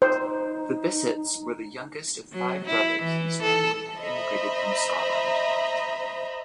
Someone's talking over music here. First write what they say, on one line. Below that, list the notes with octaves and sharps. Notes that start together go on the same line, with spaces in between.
The Bisset's were the youngest of five brothers whose family had emigrated from Scotland.
D#4 C5
F#3
E4
E3
A4
C5 D#5 E5 A#5 B5